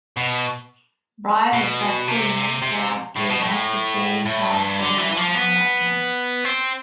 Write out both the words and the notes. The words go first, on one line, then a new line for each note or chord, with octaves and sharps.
Bryan, with practically no staff, gave much the same talk over and over again.
B2
B2
C3
C3
A2
B2
A2
A2
G2
D3
E3
E3
F3
B3
C4